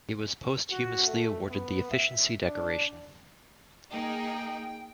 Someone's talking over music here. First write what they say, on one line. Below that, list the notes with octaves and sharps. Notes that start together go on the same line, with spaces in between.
He was posthumously awarded the Efficiency Decoration.
F#4
A3
B3
E5
D4
A#3 D#4 G#4 G5